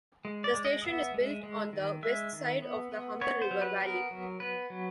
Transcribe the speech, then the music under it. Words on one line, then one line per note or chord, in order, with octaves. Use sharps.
The station is built on the west side of the Humber River valley.
G#3
D5
G#3
D#5
B3 E5
G#3
G#3
D#3
G#3 E5
D#3
B3
B3
B3 C#5
C5
F#3
B4
B3 A#4
F#3
B3 B4
F#3